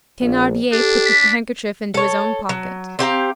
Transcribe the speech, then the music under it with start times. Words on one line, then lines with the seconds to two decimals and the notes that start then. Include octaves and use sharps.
Thenardier put the handkerchief into his own pocket.
0.20 A#1
0.72 D4 G4 A4
1.06 B6
1.94 A4 C#5
2.49 F#3
2.99 C4 G4 F5 A#5